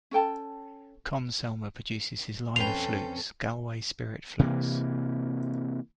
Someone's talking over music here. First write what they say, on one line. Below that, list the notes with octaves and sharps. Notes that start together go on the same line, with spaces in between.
Conn-Selmer produces his line of flutes, "Galway Spirit Flutes".
C#4 A4 G5 A5
F2 C4 C#4 A4 B4 G5 C6 F7
C3 E3 A#3